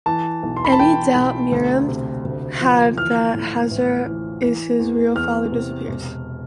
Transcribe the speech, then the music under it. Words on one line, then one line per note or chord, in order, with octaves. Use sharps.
Any doubt Miran had that Hazar is his real father disappears.
E3 A5
B1
C6
B5
A5
E3 G5
B1
D2
C3
D2
F3
E3 F6
A2
A1
E3
E3
E2
E2 F6
C3
E1